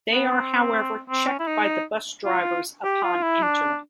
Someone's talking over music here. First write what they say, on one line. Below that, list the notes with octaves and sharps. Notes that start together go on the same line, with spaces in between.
They are however checked by the bus drivers upon entering.
B3
C4
C4
C#4
E4
D#4
F4
G4
F4
E4
D4